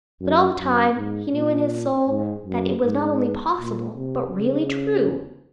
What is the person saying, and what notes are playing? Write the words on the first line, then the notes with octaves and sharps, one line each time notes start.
But all the time, he knew in his soul that it was not only possible, but really true.
F#2
F#2
G#2
A#2
G#2
F#2
G#2
A#2
C3
C#3